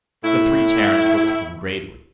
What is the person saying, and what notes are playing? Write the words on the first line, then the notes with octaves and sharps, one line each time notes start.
The three Terrans looked at them gravely.
A2 E4